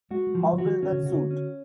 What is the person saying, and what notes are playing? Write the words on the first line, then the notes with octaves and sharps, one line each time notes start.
How will that suit?
G#3 F#4
G#3
F3
G#3
E3
D#3 F#4
D#3 C#4
D3
C#3 F#4
D3
C#4